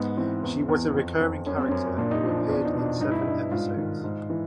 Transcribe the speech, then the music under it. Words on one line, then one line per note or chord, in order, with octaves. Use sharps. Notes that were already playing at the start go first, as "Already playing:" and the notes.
She was a recurring character who appeared in seven episodes.
Already playing: G#2 B3
E3 C4
E2
E2
F2
F2
F#2 C#4
C4
F#2 C#4
A#2 D4
D#4
F3 D4
D#4
E2 D4
D#4
B2 D4
G2 D#4
E4
D#4
G2
G#2 F4
D#3
G#2
E3